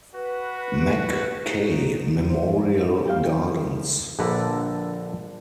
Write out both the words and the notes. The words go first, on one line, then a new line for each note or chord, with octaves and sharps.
McKay Memorial Gardens.
F#4 B4
D#4
E4 C5
A#3 G4 F5 G6
A#1 D3 A4 B4 D5 A#5